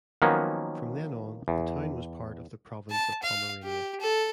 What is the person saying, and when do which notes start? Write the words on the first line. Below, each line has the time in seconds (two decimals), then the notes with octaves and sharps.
From then on, the town was part of the Province of Pomerania.
0.22 D#3 F3 F#3 A#3 B3 C#4
1.48 E2
2.91 A5
3.23 F5
3.64 G4
4.00 A4